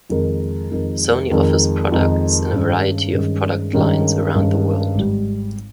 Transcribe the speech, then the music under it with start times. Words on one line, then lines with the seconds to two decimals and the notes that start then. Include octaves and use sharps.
Sony offers products in a variety of product lines around the world.
0.10 F2 D#3 G#3 D#4 A#4
0.71 F2 D#3 G#3 D#4 A#4
1.31 F2 D#3 G#3 D#4 A#4
1.92 F2 D#3 G#3 D#4 A#4
2.53 G2 D#3 G#3 C#4
3.13 G2 D#3 G#3 C#4
3.73 G2 D#3 G#3 C#4
4.35 G2 D#3 G#3 C#4
4.95 G#1 G#2 G3